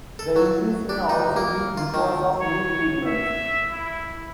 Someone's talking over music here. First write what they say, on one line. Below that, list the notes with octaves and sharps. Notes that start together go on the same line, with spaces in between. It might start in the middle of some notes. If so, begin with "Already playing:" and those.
The increase may also be because of new treatments.
A4
F#3
D4
D#4
A#3
F4
D#3
C#5
E5
E4